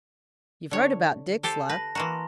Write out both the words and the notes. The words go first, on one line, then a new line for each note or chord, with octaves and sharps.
You've heard about Dick's luck?'
D3 C#5
G4 A4 C5 A5
B4 A#6
E3 A#3 F#4 A#5 C6